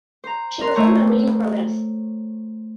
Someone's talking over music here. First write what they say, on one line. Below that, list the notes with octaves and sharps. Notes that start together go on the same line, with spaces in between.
She performed on radio programs.
C5 A#5
A#4 C6
A3 C5 C#5 A#5 F#6